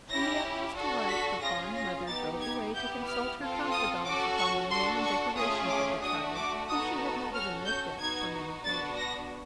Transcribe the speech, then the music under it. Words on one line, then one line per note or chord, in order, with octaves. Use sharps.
In the utmost delight the fond mother drove away to consult her confidants upon the name and decorations of the child, whom she had not even looked at for many days.
C#4 E4 G4 A#6
D4 F#4 A4
B6
C#4 F4 G#4 A#6
A#6
B3 D#4 G4 A6
G#6
B3 E4 G4 G6
F6
C4 F4 A4
D#6
C#4 F#4 A4 D6
C#6
D4 F#4 A4 C6
C#6
A3 C#4 F4 G#4 D#6
D6
A3 D4 F#4 D#6
D6
B3 D#4 F#4 A4 D#6
C#4 F#4 A4 F6
G6
B3 D#4 F#4 G#6
B3 D4 F#4 A6
A#6